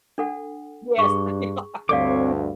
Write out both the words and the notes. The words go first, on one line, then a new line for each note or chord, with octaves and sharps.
Yes. They are.
D4 A4 F#5
G2 G#4 C#6
D2 G2 C4 A4 C#5 D5 F5 D6